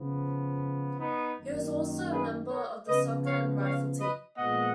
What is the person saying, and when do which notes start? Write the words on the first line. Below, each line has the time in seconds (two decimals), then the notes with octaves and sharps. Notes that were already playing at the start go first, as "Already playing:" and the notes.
He was also a member of the soccer and rifle teams.
Already playing: C#3 F3 B3
1.00 B3 D#4
1.37 F#2 D#3 A#3
2.12 G#4 B4
2.50 A#4 C#5
2.87 C#3 F3 B3 B4 D#5
3.25 C#5 F5
3.62 C#5 F5
4.00 B4 D#5
4.37 A#2 F3 G#3 B3 D#5 F#5